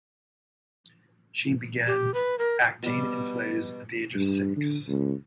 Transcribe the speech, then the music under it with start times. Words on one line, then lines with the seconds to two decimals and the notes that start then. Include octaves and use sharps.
She began acting in plays at the age of six.
1.87 G4
2.14 B4
2.39 A#4
2.82 B2 G3
4.15 G2
4.56 D3
4.88 C#2